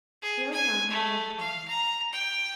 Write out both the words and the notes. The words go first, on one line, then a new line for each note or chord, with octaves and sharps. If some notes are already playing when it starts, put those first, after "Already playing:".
The old man never left me.
G#4
G#5
A3
F5
A#5
G5